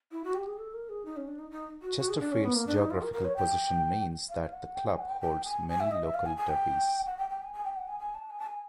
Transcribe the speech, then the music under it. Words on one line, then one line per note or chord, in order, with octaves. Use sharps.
Chesterfield's geographical position means that the club holds many local derbies.
E4
F#4
G4
G#4
A4
A#4
G#4
D#4
C#4
D4
D#4
D#4
F#4
F#4
G#4
D4
C#4
B3
A#3
D4
D#4
F4
A#4
A#4
C#5
G5
F5
F#5
G5
G#5
F#5
G5
G5
G#5
G#5
E5
D#5
E5
F5
G#5
G#5
G5
F#5
G5
G5
G#5
G#5
G5
F#5
G#5
G#5
A5
G#5
A5
G#5